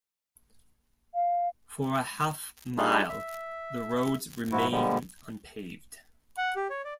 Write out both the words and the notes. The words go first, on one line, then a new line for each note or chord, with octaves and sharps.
For a half mile, the roads remains unpaved.
F5
G3 D4 D#4 F4 G#4
E5
G#2 F3 E4 F#4
A#2 D3 F3 G3 G#3
F#5
G4
C#5
D5